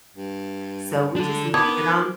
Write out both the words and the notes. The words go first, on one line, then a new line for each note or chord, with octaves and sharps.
So, we just leave it on
G2
D4 A4
D#3 B3 B4 A5 D6 D#6 G#6